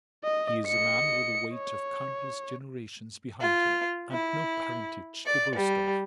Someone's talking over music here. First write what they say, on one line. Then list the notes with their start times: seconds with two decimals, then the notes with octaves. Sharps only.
He is a man with the weight of countless generations behind him and no parentage to boast of. . . .
0.24 D#5
0.67 D#5 C#7
1.54 C#5
3.41 F4
4.12 E4
5.26 D5
5.55 G3